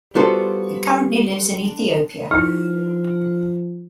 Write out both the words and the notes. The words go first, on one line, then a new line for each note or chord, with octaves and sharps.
He currently lives in Ethiopia.
G3 B3 F4 F#4 A4 C5
F3 D#4 E4 F6